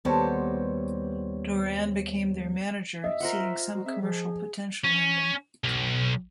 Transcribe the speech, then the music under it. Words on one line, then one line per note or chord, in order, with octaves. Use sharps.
Doran became their manager, seeing some commercial potential in them.
D#2 G3 B3 F#4 G4 A4 C5 C#5
D#5 E5
F4 A#4 C5 F#5
G3 F#4
C4 G#4 D5 E5
F3 G#4
C#4
B1